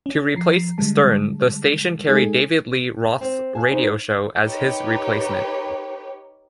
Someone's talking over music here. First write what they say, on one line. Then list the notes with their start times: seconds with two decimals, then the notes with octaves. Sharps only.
To replace Stern, the station carried David Lee Roth's radio show as his replacement.
0.06 C#4
0.35 F3 A#5 C7
0.78 D3 G3 G#3 A5
2.08 G#3 D#4 G#4 A4 G#5
3.21 C4
3.55 F5 G#5 A5
3.70 B3 D4 D#4 C5
4.43 D#4 G4 A#4 B4 C#5 G5